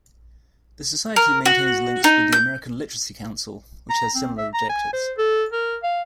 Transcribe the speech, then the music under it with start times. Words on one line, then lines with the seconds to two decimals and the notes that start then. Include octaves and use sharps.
The Society maintains links with the American Literacy Council, which has similar objectives.
1.16 A#4
1.46 F#4
2.04 D#4
2.33 G6
3.90 A#5
4.15 C4
4.38 E5
4.54 A#5
4.69 G#5
4.93 C5
5.18 A4
5.53 A#4
5.83 F5